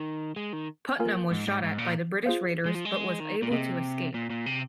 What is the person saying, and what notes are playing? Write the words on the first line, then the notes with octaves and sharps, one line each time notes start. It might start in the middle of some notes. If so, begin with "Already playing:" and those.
Putnam was shot at by the British raiders but was able to escape.
Already playing: D#3
G#3
D#3
A#3 F4 A#4 G#5
G#2
G#2
G#2
A#2
F4 G#4 C5 F5
G#3
F3
G#3
D#3
A#2
C3 A#3 G#4 D#5
A#2
A#2
C3